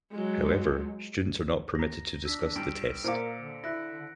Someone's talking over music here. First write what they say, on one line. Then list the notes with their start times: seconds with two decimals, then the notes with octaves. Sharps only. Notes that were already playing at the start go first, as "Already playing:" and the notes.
However, students are not permitted to discuss the test.
0.11 F#3 G#3
1.75 A#5 A#6
2.25 D4 E6 B6
2.56 G2 D7
3.04 A#2 A#4 C5 F5 D6 C#7 D7
3.38 D3
3.64 E4 F#6 A#6